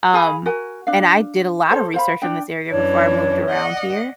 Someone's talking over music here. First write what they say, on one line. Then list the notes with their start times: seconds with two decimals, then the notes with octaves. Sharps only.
um, and I did a lot of research in this area before I moved around here,
0.13 G#4 F5 G#5 B5
0.46 F#4 A#4 G#5
0.87 D4 F5
1.70 A4 C5 C#5
1.94 C5 F5 B5
2.22 D4 G5
2.70 F#2 E3 D4 C#5
3.50 D5 D#5 F#5